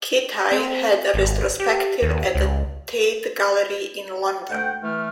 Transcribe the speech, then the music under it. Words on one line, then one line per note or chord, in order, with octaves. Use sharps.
Kitaj had a retrospective at the Tate Gallery in London.
C4
G#1
G4
D#2
C#2
D2 A3 F#5 G5
E3 A3 F6